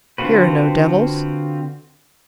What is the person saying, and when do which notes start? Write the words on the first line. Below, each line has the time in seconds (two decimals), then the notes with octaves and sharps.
Here are no devils.
0.18 D3 C4 F4 F#4 B4